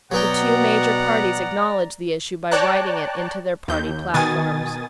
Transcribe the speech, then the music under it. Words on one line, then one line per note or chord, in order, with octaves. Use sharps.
The two major parties acknowledged the issue by writing it into their party platforms.
B2 F#3 B3 D5 F#5 G5 A#5
C#5 D5 G5 A5 A#5 F#6
D#2 G6
B2 D#3 G#5 D#6 A6